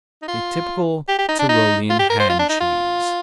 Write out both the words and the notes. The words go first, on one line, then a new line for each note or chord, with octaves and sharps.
A typical Tyrolean hand cheese.
D#4
F4
G4
G4
D#4
D4
D#4
F4
G4
A#4
C5
F4
D4
D#4
F4